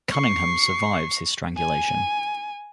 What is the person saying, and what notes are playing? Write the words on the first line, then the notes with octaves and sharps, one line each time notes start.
Cunningham survives his strangulation.
C#6 C7
G#5